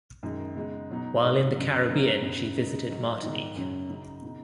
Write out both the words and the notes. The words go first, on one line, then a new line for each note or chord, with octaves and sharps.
While in the Caribbean, she visited Martinique.
F#2 D#3 G#3 D#4
C#3 G#3 B3 D#4
B2 F#3 B3 D#4
G#2 G#3 B3
F#2 C#3 F#3
C#3 F#3 B3 D#4
F#2 C#3 B3
C#3 G#3 D#4
G#2 F#3 D#4
G#2 D#3 B3 D#4
F#2 C#3 F#3 C#4
C#3 F#3 D#4
C#3 B3 D#4